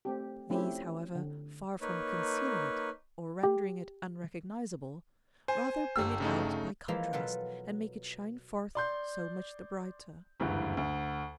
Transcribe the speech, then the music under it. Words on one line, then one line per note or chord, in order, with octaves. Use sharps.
These, however, far from concealing it, or rendering it unrecognizable, rather bring it out by contrast and make it shine forth so much the brighter.
A3 C4 G4
F3 A3 C4 C#4 E4 G4
D3
A#3 D#4 B4 C#5
G4
C5 G#5
G1 G4 E6
C#3 A3 D#4
E3 F3 G#3 A#3 E4
B2 F#3 F4 A4 B4
D5 C6 G6
F#1 D2 G2 E3
D2